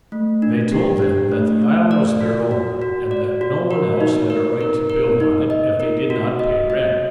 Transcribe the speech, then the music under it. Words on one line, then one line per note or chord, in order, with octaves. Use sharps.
They told them that the isle was their own, and that no one else had a right to build on it, if they did not pay rent.
A3
D4
G4
D4
A3
A3
D5
F#4
F#4
F#4
D5
F#4
A#4
D#4
A#4
A#4
A#4
D#4
D#5
A#4
F#4
D#5
D#5